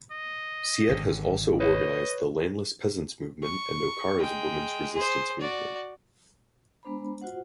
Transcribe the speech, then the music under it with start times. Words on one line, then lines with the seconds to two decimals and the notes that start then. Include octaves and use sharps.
Syed has also organized the landless peasants movement and Okara’s women’s resistance movement.
0.12 D#5
0.89 G#1 D3
1.60 B4 C#5 D#5
3.43 C#6
4.18 G#3 G5
4.94 G#4 C5
5.40 F#4 D5
6.83 G#3 B3 D4 C5 A#5 B5
7.21 F4 F#4 C5 F#5